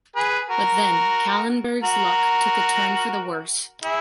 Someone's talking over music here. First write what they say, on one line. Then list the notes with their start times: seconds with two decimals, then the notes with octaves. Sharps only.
But then Callenberg’s luck took a turn for the worse.
0.16 G#4 B4
0.50 F#4 A#4
1.83 F#4 A#4
3.84 E4 G#4